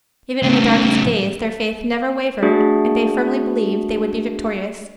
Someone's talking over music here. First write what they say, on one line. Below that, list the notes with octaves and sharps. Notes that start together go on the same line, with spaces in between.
Even in the darkest days their faith never wavered and they firmly believed they would be victorious.
A2 C#3
A3 D4 F#4 G#4